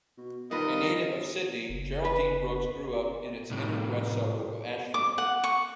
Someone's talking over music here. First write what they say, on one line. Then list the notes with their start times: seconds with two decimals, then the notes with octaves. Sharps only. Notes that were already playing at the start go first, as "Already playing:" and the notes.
A native of Sydney, Geraldine Brooks grew up in its inner-west suburb of Ashfield.
0.17 B2
0.51 D#3 G3 F4 A#4 B4 D#5
1.69 F#1
2.05 B4
3.51 A2 C3
4.94 D6
5.18 F#5
5.44 C#6